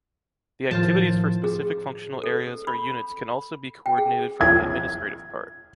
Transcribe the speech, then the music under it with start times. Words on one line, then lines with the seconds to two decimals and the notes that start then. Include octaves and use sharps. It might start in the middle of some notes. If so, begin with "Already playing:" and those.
The activities for specific functional areas or units can also be coordinated from the administrative part.
0.71 A2 D#3 F3 F4 C5 A5
1.44 G#4
2.24 A4
2.67 B5
3.86 G5
3.98 G#4
4.41 G#6